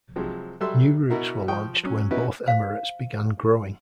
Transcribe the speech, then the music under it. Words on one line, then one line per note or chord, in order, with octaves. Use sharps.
New routes were launched when both Emirates began growing.
C3 F3 F#3 G#3
F#3 G3 A4 E5 C6 E6
B2 E4 F#4 A#4 E5
F3 G5 C#6 D#6
F#3 C#4
B3 C#4 D#4 E4 F#4 B4
C5 F5